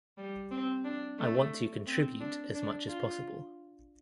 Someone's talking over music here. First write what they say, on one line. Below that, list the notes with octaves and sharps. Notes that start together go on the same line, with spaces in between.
I want to contribute as much as possible.
G3
C4
D4
A3
C4
D4
D4
F4